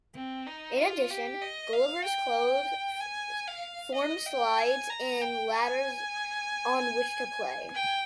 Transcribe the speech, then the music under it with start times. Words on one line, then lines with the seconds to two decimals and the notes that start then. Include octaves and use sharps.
In addition, Gulliver's clothes form slides and ladders on which to play.
0.15 C4
0.47 D#4
0.79 F4
1.10 G4
1.41 D#5
1.73 F5
2.04 G5
3.00 G#5
3.47 F5
3.94 D#5
4.26 G5
4.58 G#5
4.90 A#5
5.21 G5
5.53 G#5
7.75 G5